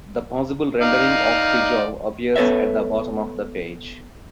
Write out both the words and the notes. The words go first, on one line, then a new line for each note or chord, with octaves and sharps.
The possible rendering of Tijou appears at the bottom of the page.
D#4 D5 F5
B3 A4 B4 C#5 E5